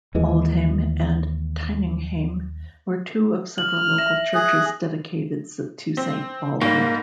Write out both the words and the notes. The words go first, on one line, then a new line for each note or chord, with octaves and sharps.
Auldhame and Tyninghame were two of several local churches dedicated to Saint Baldred.
D#2 E3 G#3
F6 F#7
E5 A#6
G#4 F#6
C4
G#2 G3 A#3